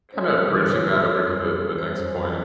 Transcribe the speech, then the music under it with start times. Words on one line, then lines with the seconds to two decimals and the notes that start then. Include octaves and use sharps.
kind of bridging that over to the the next point,
0.13 C#4 C5
0.31 G3
0.50 E3
0.68 E3 C#5
0.87 G3
1.05 C#4
1.24 F#2
1.43 G3
1.60 G3
1.79 F#2 C5
1.97 F#2
2.15 F#2